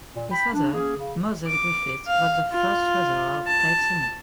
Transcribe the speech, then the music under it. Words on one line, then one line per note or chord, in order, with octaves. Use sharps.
His father, Moses Griffith, was the first Treasurer of Plaid Cymru.
A#2
G5 B5
D4
A#3 C#4 G#4
C#3
D6
F5
F4
A5